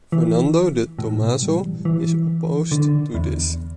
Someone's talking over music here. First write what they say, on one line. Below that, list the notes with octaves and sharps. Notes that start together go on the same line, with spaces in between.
Fernando de Tomaso is opposed to this.
E3
A2
B2
G3
E3
E3
D3
E2